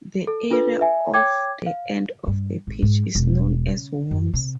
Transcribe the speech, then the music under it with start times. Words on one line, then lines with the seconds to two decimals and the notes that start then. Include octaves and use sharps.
The area off the end of the pitch is known as "Worms".
0.27 A4
0.51 D4 F4 A4 B4
0.81 E5 G#5
1.14 C#5 G5 D6 G#6
1.66 F5
2.27 G2
2.67 G#1
2.82 G#2
3.15 E1
3.68 C#3
4.11 F#2
4.34 C3